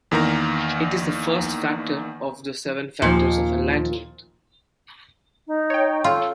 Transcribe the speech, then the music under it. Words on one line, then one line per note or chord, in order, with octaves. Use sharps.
It is the first factor of the Seven Factors of Enlightenment.
E2 D#3 A#3 A#4 A#5
D#2 A#2 D#3 F3
D#4
C#5 G5
F4 A4